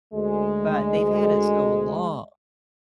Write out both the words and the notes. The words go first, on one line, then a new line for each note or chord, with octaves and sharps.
but they've had it so long.
D2 G#3